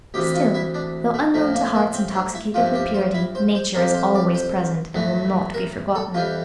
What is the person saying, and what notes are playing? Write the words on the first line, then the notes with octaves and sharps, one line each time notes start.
Still, though unknown to hearts intoxicated with purity, nature is always present and will not be forgotten.
D2 C3 E3 G4
F4
E4
D4
A3
A2 F3 A3
A#3
A#3
C4
D4
E4
G2 F3 A3 F4
G4
C5
E4
C5
C5
F2 C3 F3 A#4
C5
D5
C5
G2 E3 A3
A#4
A4
F2 E3 G3 F4